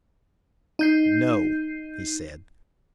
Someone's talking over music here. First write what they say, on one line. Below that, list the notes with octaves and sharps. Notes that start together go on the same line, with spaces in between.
"No!" he said.
D#4 G6 C7